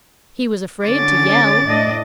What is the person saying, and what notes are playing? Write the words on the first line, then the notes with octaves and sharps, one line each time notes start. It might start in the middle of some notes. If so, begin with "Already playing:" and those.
He was afraid to yell!
D3 C#4 D6 A6
A2 D4 D#5